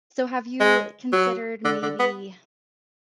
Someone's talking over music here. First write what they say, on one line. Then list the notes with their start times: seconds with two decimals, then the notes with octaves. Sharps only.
so, have you considered, maybe,
0.60 G#3
1.13 F#3
1.65 D3
1.82 D3
1.99 B3